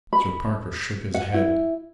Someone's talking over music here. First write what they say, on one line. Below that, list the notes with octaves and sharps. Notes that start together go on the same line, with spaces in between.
Mr. Parker shook his head.
B5
F#5
E4